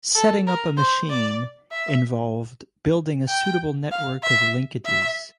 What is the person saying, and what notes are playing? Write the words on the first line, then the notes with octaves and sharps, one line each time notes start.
Setting up a machine involved building a suitable network of linkages.
A4
A#4
C5
D5
E5
G5
F5
E5
E5